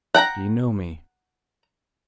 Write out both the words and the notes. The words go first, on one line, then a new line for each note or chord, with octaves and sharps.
"Do you know me?"
F#5 G5 A5 A#5